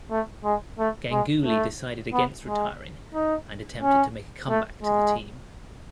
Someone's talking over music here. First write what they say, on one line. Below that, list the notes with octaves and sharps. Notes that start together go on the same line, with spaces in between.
Ganguly decided against retiring and attempted to make a comeback to the team.
A3
G#3
A3
G#3
A3
B3
G#3
D#4
C#4
A3
G#3